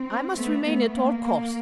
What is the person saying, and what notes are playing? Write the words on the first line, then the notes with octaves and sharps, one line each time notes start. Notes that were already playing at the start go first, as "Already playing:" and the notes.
I must remain at all costs!
Already playing: C4
A3 B3
A3 B3
A#3